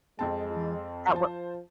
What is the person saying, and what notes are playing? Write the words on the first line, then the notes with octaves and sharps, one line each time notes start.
Mhm. At what
F2 G#3 C4 A5
F3 C5 A5